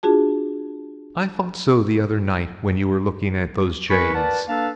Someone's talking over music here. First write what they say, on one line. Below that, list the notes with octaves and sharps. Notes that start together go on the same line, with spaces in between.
I thought so the other night when you were looking at those jades.
D4 F4 F#4 G#4 A5
F2 A#4 B4 G#5 B5 C#6
A#4 B4 D5 F#5 A5
A#3 D4 A4 B4 F5 A5